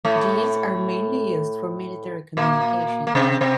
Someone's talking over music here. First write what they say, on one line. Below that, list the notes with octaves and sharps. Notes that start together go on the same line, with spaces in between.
These are mainly used for military communication.
A2 A3
A#2 A#3
A#3
C3 C4
C3 C4